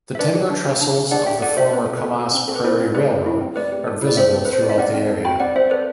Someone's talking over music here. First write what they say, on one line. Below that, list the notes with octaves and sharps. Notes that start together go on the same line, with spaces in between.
The timber trestles of the former Camas Prairie Railroad are visible throughout the area.
E5
D4 B4 D5
G4
D4
G4
D4
G4
D4 D5 F#5
G4 E5 G5
A4 D5 F#5
F#4 C5 E5
C4 B4
C4 A4
B4
A4
F#4
C4
C4 A4
B4
E4 A4 C5
C4
A3 B4 D5
G4
E4
C4
A3 B4 D5
G4
A4
E4 D5
C4 C5 E5
C4
A4 B4
C5
E4 D5
E5
C4 D5 F#5
C4
A4
F#4 G5 B5
C4 D5 F#5
C4 C5 E5
A4 B4 D5